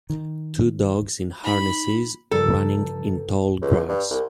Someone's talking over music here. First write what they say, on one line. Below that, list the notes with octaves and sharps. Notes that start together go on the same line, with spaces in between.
Two dogs in harnesses running in tall grass.
D#3
D#4 B5
G2 C#3 F3 G3 A4 A#4
C#2
G2
C2